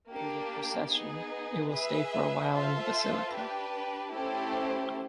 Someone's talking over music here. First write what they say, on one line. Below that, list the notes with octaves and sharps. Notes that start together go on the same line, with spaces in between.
After the procession, it will stay for a while in the Basilica.
A#3 D4 G4
B3 D#4 G#4
G#4 B4 E5
F4 A4 C5 E5
D4 G4 B4
A3 C#4 E4 G4 C5